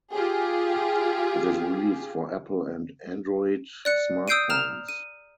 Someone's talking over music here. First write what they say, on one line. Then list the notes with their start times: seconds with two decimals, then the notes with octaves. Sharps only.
It is released for Apple and Android smartphones.
0.13 F4 G4 G#4
3.85 D5 F#6 C#7
4.28 D#6 E6 G6 C7 D7 D#7
4.50 A#5 F6 E7 F7
4.88 D#7